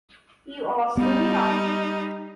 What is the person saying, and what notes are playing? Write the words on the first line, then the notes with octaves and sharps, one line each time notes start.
You are still young.
G3 B3 D#4